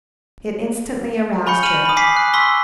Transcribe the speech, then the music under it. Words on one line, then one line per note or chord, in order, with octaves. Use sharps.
It instantly aroused her.
G#5 B5 C#6 G6 C#7
F6 D#7 F7 F#7
B5 D#6
G#5 D6 D#6 B6 C7
F#6
C6 C#6 E6 B6 G7